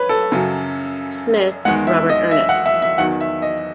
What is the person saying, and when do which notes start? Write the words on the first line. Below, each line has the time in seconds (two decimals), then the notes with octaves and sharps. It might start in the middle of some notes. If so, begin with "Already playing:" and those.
Smith, Robert Ernest.
Already playing: B4 C#5
0.09 A4
0.32 F#2 C#3 F#3
1.65 E2 D#3 G#3 F#5
1.87 E5
2.09 D#5
2.31 E5
2.49 F#5
2.66 E5
2.82 E5
2.98 E2 D#3 F#3 F#5
3.21 E5
3.42 D#5